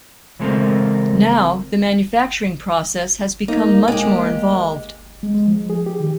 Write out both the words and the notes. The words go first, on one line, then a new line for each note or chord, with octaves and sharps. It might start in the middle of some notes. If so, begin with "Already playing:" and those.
Now, the manufacturing process has become much more involved.
C#3 E3 G#3 C4 A4 A#4
A#3 D#4
G#3 G4
G#3
G#3
F3
G#4
G4
D#3